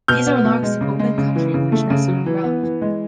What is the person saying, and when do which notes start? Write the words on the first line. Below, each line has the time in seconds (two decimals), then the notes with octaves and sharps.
These are larks of open country which nest on the ground.
0.08 B2 F6 G6
0.27 B3
0.45 B2
0.63 G#3
0.81 C#3
0.99 G#3
1.18 C#3
1.36 E3
1.54 C#3
1.72 A3
1.90 C#3
2.08 F#3
2.26 E3
2.44 B3
2.63 E3
2.82 G#3